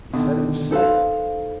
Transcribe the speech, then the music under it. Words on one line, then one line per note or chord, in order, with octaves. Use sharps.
He said he was sick.
B2 D3 D#3
D#4 A4 B4 C5 F5